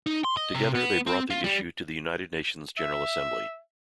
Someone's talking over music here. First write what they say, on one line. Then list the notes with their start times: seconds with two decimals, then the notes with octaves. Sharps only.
Together, they brought the issue to the United Nations General Assembly.
0.07 D#4
0.24 C6
0.37 D#5
0.55 C3
0.75 B3
1.07 C4
1.30 F4
1.44 G3
2.78 E5